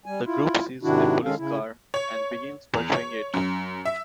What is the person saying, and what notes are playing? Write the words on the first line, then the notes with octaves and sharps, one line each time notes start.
The group sees a police car and begins pursuing it.
G3 G#5
E4 F4
G#2 C3 D#3 D4 E4 F#4
D#3 G#3 C#4 A4 F5
C#3 E4
C#5
E2
C#5
F#2
E5